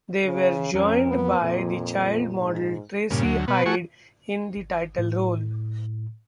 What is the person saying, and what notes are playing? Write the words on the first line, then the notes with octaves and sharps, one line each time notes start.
They were joined by the child model Tracy Hyde in the title role.
C#3
F2 C#4 A#4
B3
F2 A#2
G#2
G2 A#2 C#3
D2 F#3
B2 B3
A3 F#4 G#4 C#6
G#1
A2